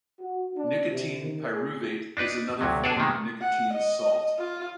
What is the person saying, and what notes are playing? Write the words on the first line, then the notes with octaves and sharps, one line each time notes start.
Nicotine pyruvate is another form of nicotine salt.
F#4
D4
C3
D#3
G#4
D4 D#4 B4 D5
D2 C3 F#3
D4 G#4 A4 C#5 D5
C3 D#3 G#3
F#5
D#5
F4